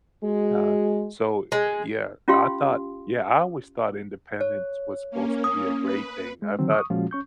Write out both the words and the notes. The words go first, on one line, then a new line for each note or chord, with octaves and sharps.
uh, so, y yeah, I thought Yeah, I always thought independence was supposed to be a great thing, I thought
G#3 F#4
G#3
C#4 F4 G4 F5 C6
C#5
A#3 C#4
D#6
B4
G#3
D3 D#3 F#3 C4
C#6 D#6
A#2 F3 G#3 C#4 F4 F#4
C#4 C#6 G6